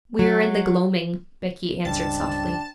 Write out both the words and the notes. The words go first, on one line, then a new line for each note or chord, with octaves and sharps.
'We are in the gloaming,' Becky answered softly.
F#3
C#2 G2 C4 D4 A5